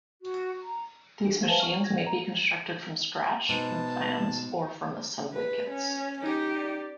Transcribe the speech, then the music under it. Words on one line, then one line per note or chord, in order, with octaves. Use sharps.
These machines may be constructed "from scratch", from plans, or from assembly kits.
F#4
A#5
D4 G4 G#4
B4 C5 E5 F5 G#5 A5
C#6 F6
G#6 A#6
A#5
G#2 B2 B4 A5
B4
C#4
D#4 G4
D5